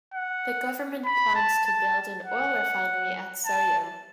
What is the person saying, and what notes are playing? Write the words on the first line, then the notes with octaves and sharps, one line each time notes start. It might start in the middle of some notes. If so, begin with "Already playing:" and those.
The government plans to build an oil refinery at Soyo.
F#5
B5
A5
A5
F#5
A5